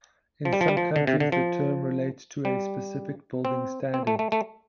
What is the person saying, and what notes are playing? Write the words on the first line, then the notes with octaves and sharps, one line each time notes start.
In some countries the term relates to a specific building standard.
F3
G3
F3
G3
F3
D3
C3
D3
F3
G3
C4
C4
A3
A3
A3